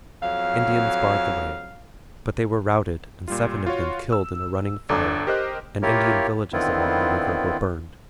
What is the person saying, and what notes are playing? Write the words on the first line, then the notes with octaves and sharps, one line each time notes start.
Indians barred the way; but they were routed and seven of them killed in a running fire, and Indian villages along the river were burned.
F2 F#3 F5
A#2 G3 F4
F4 F#4 C#5
E6
G1 D4 A4 A#5 D6
G4 A#4 C5 D#5 F#6
A#3 E4 F4 G4 A#4 C#5
D3 D#3 B3 C4 E4 F4